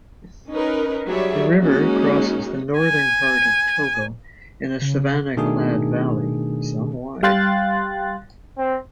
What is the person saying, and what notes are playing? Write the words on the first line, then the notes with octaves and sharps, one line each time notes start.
The river crosses the northern part of Togo in a savannah-clad valley some wide.
C#4 D#4 A#4 B4
F#3 G3 G#4 C#5 D5 E5
G#3 A#3 C#4 D#4 F#4
G#5
C#3
B2 D#3 A3 D4 D#4 G#4
G3 F5 G5 C6 F#6 A6
C4